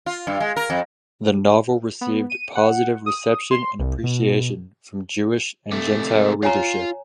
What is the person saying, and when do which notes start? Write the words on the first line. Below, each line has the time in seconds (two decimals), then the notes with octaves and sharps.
The novel received positive reception and appreciation from Jewish and gentile readership.
0.06 F4
0.27 G2
0.40 G#3
0.56 A#4
0.70 F2
2.01 B3
2.30 D#7
2.55 F#5
3.06 D#6
3.51 C6
3.79 C2
4.03 B2
5.72 C3 A3
6.43 F4 C#5 G#5 A#5